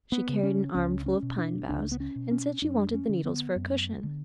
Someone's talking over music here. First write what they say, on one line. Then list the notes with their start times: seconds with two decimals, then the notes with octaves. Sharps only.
She carried an armful of pine boughs and said she wanted the needles for a cushion.
0.12 B3
0.29 C#3
0.43 C#4
0.74 C#2 C#4
1.06 C#4
1.23 B2
1.38 D4
1.69 C#2 D4
1.92 B3
2.00 C#4
2.16 B2
2.31 C#4
2.62 F#2 D4
2.94 C#4
3.09 D3
3.25 B3
3.56 F#2
4.04 D3